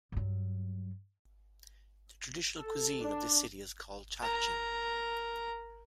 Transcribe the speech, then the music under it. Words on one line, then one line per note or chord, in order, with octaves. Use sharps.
The traditional cuisine of the city is called Tahchin.
G2 F#3
A4
D4
A#4 A#5